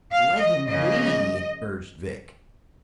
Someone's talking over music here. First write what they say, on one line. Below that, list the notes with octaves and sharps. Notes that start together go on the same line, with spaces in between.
"Let him be!" urged Vic.
F5
D#5
C#3 F3 A#3 D#5